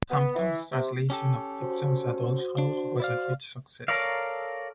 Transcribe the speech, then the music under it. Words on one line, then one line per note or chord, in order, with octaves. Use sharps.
Hampton's translation of Ibsen's "A Doll's House" was a huge success.
B3
E3
C3
C#4 G4 A4
F#4 C5
D4
E4 D5 F5
A4 A#4 C#5 D5 F5